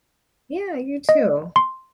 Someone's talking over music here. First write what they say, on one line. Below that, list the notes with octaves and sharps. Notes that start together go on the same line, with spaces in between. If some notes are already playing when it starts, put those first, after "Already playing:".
Yeah, you too.
D#5
C6